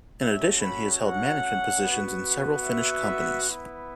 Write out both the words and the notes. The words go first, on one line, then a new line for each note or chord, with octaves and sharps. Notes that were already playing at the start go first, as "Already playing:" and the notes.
In addition, he has held management positions in several Finnish companies.
A3 C#4 F#4 E5
B5
F#5
B3 F#4
E5
B3 E4